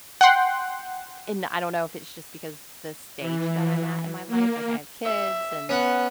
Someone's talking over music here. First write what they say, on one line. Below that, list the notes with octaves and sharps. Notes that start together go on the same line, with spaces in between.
and I don't know if it's just because the stage that I'm at in my life. Like, I have kids, and,
F#5 G5 C6
E3
A#3
E5
B3 C#4 F#5